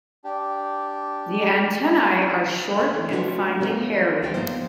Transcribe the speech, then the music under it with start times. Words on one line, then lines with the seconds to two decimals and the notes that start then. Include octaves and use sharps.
The antennae are short and finely hairy.
0.24 D4 G4
2.80 A3
2.94 E3
3.10 A3 C#4 D4 F4 F#4 B4
3.60 F3 B3 C#4 A#4
4.22 D2 E3 G3 F4 G5 G#5
4.34 G#2 F3 A#3 B3 C5